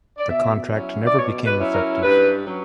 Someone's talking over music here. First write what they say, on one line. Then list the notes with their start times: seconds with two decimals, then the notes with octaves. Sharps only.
The contract never became effective.
0.18 D5
0.29 B2 E5
0.73 F#3 C#4 E4
1.05 D5
1.17 B2 C#5
1.45 B4
1.59 F#3 C#4 E4
1.73 A#4
2.03 G2 B4
2.45 F#3 C#4